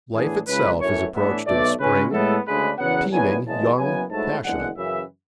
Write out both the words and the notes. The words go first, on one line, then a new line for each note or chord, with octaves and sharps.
Life itself is approached in spring, teeming, young, passionate.
A2 E3 B3 D4 G#4
C#2 C#3 F#3 B4
F#2 E3 A3 C#5
A2 E3 B3 D4 E5
B1 B2 A3 D5
C#2 C#3 G#3 C#4 B4
A2 G#3 B3 E4 A4
D2 C#3 G#3 D4 B4
F#1 E2 C#3 F#3 B3 F#5
F#1 E2 D3 F#3 B3 G#5
F#1 E2 C#3 G#3 A5
F#1 F#2 C#3 F#3 B3 G#5
G#2 F#3 A3 E4 A5
F#1 E2 D3 G#3 F#5
F#2 C#3 E3 E5